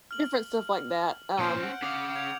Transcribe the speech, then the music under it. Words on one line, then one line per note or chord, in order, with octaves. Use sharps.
different stuff like that, um
F6 F#7
A#2 C#4 C5 F6 G6 D7
F#5
C#3 F5 D6 D#6
G#6 F7